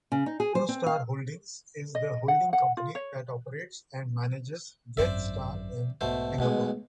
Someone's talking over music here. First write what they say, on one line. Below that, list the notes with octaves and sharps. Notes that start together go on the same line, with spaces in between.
Newstar Holdings is the holding company that operates and manages Jetstar in Singapore.
C#3
D#4
G#4
C5
C4
F5
D#5
F#5
F#5
F4
C#5
G#1 F#2 C5 D5 E5
B1 G#2 B2 A3 C5
B1 B2 G#3 A3